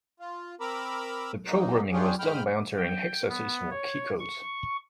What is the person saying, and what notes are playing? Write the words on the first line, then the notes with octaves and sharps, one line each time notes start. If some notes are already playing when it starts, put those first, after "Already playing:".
The programming was done by entering hexadecimal key codes.
F4
C4 A#4 A#5 B5 D6 E6
F#3 G#3 A#3 D#4
G3 C#4 D4 F4 G4 G#4
G#2 G#3 G5 B5 F6
G5
B3
C#5
C#6